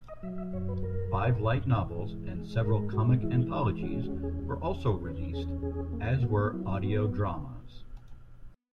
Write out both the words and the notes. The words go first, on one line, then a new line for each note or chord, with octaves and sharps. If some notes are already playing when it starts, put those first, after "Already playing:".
Five light novels and several comic anthologies were also released, as were audio dramas.
D#5
F#3 E5
E5
F#2 C#5
B4
F#2 A#4
F#2
G#2
E3
G#3
G#3
G#2 A#4
G#3 F#4
E3 E4
G#3
C#4 F#4
F#4
E2
G#4
E2
C#4
E2 B4
C#4 G#4
E2 G#4
A#3
B3 F#4
F#3 E4
B3 F#4